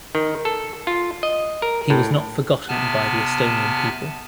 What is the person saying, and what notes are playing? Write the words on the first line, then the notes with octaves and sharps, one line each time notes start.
He was not forgotten by the Estonian people.
D#3
A4
F4
D#5
A#4
A2
C3 B3 G#5 A5 F6